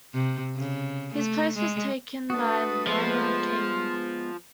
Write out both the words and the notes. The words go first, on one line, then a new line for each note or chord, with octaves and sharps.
His place was taken by Lana Kaelin.
C3
C#3
A3
G#3
A3 D4 F#4 B4 D#6
F3 G#3 B3 C6